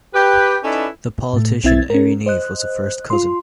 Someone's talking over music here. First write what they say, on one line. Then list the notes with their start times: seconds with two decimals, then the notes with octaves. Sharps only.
The politician Airey Neave was a first cousin.
0.14 G4 B4
0.64 C#4 D#4 E4 A4 B4 D5
1.34 A2 A3
1.64 B1 C4 E4 E5 G#6 A6
1.90 C#4 A#4
2.26 C5 D#5 F#6
3.10 F4 C6